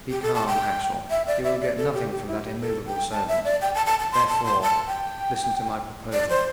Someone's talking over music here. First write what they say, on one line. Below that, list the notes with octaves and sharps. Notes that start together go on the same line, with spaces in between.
"Be calm, Axel! you will get nothing from that immovable servant. Therefore, listen to my proposal."
G4
A4
A5
G5
E5
D5
E5
D5
A4
G4
G4
E4
G4
A4
G5
A5
E5
D5
G5
A5
A5
A5
C6
A5
C6
A5
G5
D5
C5